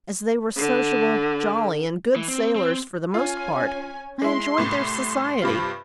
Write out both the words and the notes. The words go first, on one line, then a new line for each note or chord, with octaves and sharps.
As they were sociable, jolly, and good sailors for the most part, I enjoyed their society.
D3
E3
C4
C4
C#4 F4 G#5
G#3 E4 C6
C2 A2
G2 C3 F4